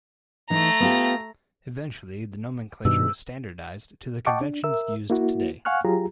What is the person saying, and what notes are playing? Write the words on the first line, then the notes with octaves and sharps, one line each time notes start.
Eventually the nomenclature was standardized to the conventions used today.
E3 A3 D#4 A#5
B3 F4 G4
G2 B2 D#3 E6
D#5 F#5 G5 A5 C#6 D6
D4
A#4 E5 E6
A#3 E4 F#4
F5 F#5 G#5 C#6 F6 F#6
F#3 F4 G4 G#4 A#5